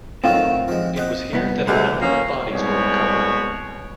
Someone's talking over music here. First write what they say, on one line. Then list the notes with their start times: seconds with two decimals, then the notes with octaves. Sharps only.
It was here that a number of bodies were recovered.
0.24 A2 D#3 F#3 C4 F4
0.68 F3 G#3
0.96 C5 D#5 F#5
1.33 C2 B3
1.68 D2 C3 G#3 G4
2.01 A#3 C#4
2.50 C2 B2 G#3 C#5